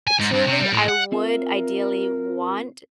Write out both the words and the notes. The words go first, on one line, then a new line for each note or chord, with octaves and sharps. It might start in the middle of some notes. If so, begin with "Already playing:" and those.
eh, truly, I would ideally want
G#5
G#2
G2
C3
G3
A2
F#5
C4 F4 A#4 E5